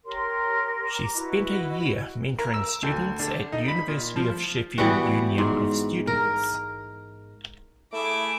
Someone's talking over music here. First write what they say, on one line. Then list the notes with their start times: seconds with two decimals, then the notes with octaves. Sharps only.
She spent a year mentoring students at University of Sheffield Union of Students.
0.05 G4 A#4 C#5 C6
0.91 A#5 D6
1.14 E4 F#4 B4 D#5
2.39 A#4
2.54 E6
2.83 D2
3.19 D3
3.52 D#4
3.68 B5
3.88 A#2
4.16 F3
4.78 E3 G3 B3 F#4
5.38 G#2
6.07 A#4
7.93 A3 E4 G#4 D6